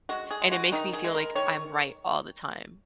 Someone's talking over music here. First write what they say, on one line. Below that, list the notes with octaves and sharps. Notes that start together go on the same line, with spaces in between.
and it makes me feel like I'm right all the time,
G#3 F#4
G#4
G#3
F#4
D#3 D#4
G#4
G#3
A#4
D#3 C#5